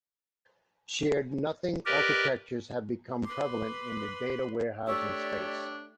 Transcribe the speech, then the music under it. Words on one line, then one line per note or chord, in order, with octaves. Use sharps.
Shared nothing architectures have become prevalent in the data warehousing space.
G4 A#4 B4 D5 D#5
B4 C6 D6
A3 D4 G4 C#5 D5 E5 C#6 E6